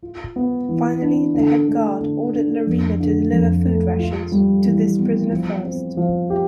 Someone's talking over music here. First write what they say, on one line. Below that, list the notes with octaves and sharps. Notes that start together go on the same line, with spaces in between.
Finally the head guard ordered Larina to deliver food rations to this prisoner first.
F4
B3
E3
D4
D3
A3
D3
D4
F2
D3
F2
A3
F4
G3
E3
B3
F3
C4
F3
G4